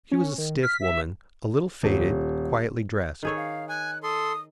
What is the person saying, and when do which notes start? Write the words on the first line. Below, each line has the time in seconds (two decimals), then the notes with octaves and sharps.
She was a stiff woman, a little faded, quietly dressed.
0.11 C#4
0.38 D#3
0.63 F6 B6
0.81 E5
1.83 D#1
3.23 D#3 G#4 A4 C#5
3.36 F5
3.69 G#5 F#6
4.03 A4 C6 D#6